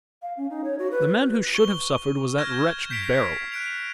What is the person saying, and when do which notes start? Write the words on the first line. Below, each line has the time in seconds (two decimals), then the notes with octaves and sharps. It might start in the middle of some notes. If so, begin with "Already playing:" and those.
"The man who should have suffered was that wretch Beryl."
0.22 F5
0.37 C#4
0.50 D#4
0.64 C#5
0.79 F#4
0.91 B4
1.08 B4
1.54 C#6 G7
2.38 F6 G6 G#6 A#6 E7
2.90 G6 B6 C7 D7 F7
3.52 F#6 D7 F7